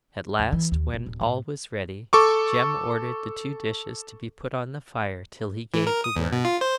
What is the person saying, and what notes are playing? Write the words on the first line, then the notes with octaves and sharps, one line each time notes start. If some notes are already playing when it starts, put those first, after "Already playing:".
At last, when all was ready, Jem ordered the two dishes to be put on the fire till he gave the word.
E2
E3
D#2
E1
D1
A2
A4 C#6 D6
E3
A#4
D#6
E2
B2
F4
C5